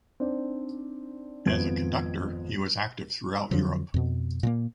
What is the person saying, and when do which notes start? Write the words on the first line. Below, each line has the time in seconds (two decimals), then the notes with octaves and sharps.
As a conductor he was active throughout Europe.
0.20 C4 D4 D#4 C5 D5
1.46 G#1 F2 B3 F4 G#6 D7
3.51 F2 D3 F3 F#3
3.94 F2 B2
4.43 A#2 G3 A#3